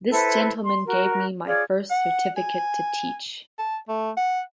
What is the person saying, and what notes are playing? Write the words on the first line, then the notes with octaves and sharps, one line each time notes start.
This gentleman gave me my first certificate to teach.
E4 A4 B4 C5
C6
F#4 A#4
F4 G#4 C#5 D5
F#5
G#5
A5
A3
F#5